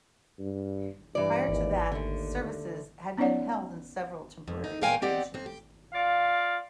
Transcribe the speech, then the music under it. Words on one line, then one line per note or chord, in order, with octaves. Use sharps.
Prior to that, services had been held in several temporary locations.
G2
G2 E3 D5
G#1 D#2
D#2 D3 A3
B3 C#4 D#4 C#5 D5 F#5
F2
D#4
A#2 F#3 A#4 F5 G5 G#5
B3 C4 G4 D5 D#5 F#5
F2 C4
G4
F4 D5 F5